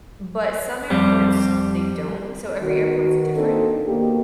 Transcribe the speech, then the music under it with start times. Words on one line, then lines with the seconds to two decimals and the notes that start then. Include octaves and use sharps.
but some airports, they don't, so every airport's different,
0.90 F2 G3 C4
2.62 B2 D#3 F#4
3.35 A#3 C4 D4 D#4 A4
3.88 B2 D#3 A#3 G4